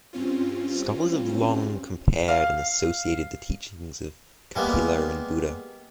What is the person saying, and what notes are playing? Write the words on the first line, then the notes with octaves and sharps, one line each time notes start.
Scholars have long compared and associated the teachings of Kapila and Buddha.
G2 C4 C#4 F4
F5
G3 G#3 A#3 B3